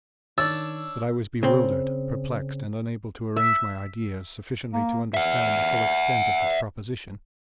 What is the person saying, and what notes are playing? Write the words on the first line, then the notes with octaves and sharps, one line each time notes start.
But I was bewildered, perplexed, and unable to arrange my ideas sufficiently to understand the full extent of his proposition.
D#3 D4 C#5 E6 A6
C#3 C4
E5
A#3
E5 F#5